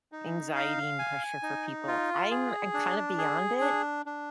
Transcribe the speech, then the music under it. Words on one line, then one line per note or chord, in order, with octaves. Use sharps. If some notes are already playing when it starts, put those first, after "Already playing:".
anxiety and pressure for people. I'm I'm kinda beyond it,
D#4
F5
G#5
D#4
F4
G#4
D4
G#4
D4
D4